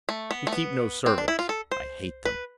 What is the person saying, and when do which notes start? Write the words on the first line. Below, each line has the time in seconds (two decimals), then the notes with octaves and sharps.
We keep no servants--I hate them.
0.09 A3
0.31 B3
0.47 A3
0.53 B3
1.06 C4
1.18 D4
1.28 E4
1.39 F4
1.49 A4
1.71 C5
2.25 B4